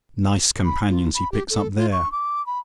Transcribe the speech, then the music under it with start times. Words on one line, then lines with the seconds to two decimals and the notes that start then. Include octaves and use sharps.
Nice companions he picks up there!
0.65 B5
0.89 F4
1.14 B5
1.32 G4
1.50 A4
1.77 F4
1.92 C#6
2.12 D6
2.46 B5